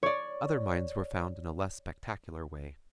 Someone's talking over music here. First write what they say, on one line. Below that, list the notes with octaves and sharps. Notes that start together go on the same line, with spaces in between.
Other mines were found in a less spectacular way.
C#5 D5